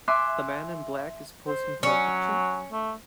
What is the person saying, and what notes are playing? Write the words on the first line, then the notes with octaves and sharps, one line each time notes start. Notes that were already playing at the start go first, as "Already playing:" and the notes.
The man in black is posing for a picture.
E5 G#5 C6 D6 F#6
C5
F#3 C#4
A3